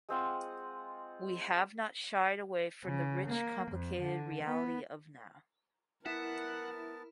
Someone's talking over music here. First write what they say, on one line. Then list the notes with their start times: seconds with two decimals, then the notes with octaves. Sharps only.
We have not shied away from the rich complicated reality of Now.
0.09 G#3 C4 F4 F#5
2.84 C#3
3.28 A#3
3.72 F2
4.01 D3
4.43 B3
6.06 B3 E4 A#4 F#5 A5